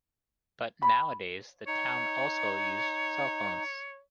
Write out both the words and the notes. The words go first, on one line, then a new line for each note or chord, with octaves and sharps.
But nowadays the town also used cellphones.
B5
D#4 C#5